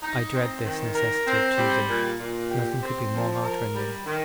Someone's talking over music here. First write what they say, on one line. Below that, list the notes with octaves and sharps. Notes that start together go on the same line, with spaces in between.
I dread this necessity of choosing--nothing could be more heartrending.
D#4
C4
D#3
A#4
C4
G3
A#2
A#2
G4
C4
F3
A#4
G3
D#3